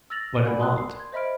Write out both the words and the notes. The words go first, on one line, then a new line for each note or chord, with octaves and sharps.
But it want.
E6 F6 A6 A#6 F7 F#7
A#4 D5 F#5 G#5 B5
A5 C6 D#6 E6 F#6
C7
C6 G#6
C5 D#5 E5 B5 F6 D7